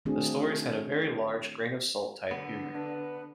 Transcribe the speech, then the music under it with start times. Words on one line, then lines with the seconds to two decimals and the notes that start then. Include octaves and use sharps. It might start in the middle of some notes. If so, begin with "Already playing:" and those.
The stories had a very large grain-of-salt-type humor.
0.05 D#3 A3 C4 D4 F#4 G#4
2.31 D3 B3
2.75 D4 B4